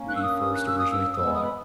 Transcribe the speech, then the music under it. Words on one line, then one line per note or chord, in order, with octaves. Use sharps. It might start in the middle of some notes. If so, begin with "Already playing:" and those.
we first originally thought,
Already playing: A#3 C#4
F#6
E6
D#6
D#6
F#6
E6
D#6
E6
D#6
G#3 B3 E6
D#6
B5